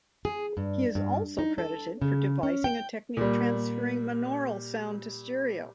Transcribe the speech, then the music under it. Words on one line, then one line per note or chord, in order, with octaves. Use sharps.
He is also credited for devising a technique transferring monaural sound to stereo.
G#4
G2
G2
D#4
A4
C#3
C#4
G5
A#2 G3